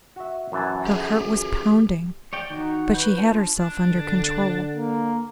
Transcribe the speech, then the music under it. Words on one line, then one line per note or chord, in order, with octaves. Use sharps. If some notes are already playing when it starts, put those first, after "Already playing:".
Her heart was pounding, but she had herself under control.
F#4 E5
F#2 E3 A5
G4 G#4
C#5 D5 G5
D#3 D#4 F#4
B4 B5 G6
D4 F4 C#5 A5
D4
D3
A#3